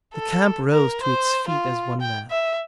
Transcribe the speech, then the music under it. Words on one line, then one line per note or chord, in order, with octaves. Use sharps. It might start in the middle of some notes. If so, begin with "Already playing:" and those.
The camp rose to its feet as one man!
A4
A#4
C5
F4
G5
E5